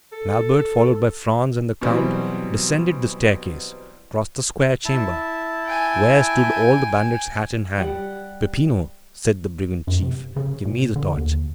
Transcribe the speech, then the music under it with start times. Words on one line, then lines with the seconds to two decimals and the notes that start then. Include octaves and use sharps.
And Albert, followed by Franz and the count, descended the staircase, crossed the square chamber, where stood all the bandits, hat in hand. "Peppino," said the brigand chief, "give me the torch."
0.12 A4
1.81 B2 E3 F#3 G3 C4
4.85 E4 A5
5.65 G5 G#5
7.78 G3 F#5
9.87 F#2
10.02 C3
10.36 C#3
10.65 A#2
10.96 D3
11.17 D#2